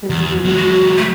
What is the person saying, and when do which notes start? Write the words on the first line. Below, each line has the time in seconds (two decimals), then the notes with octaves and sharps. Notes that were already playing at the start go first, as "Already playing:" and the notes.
is really
0.10 E2
0.45 F#3 G#3
0.58 F#4
0.97 A3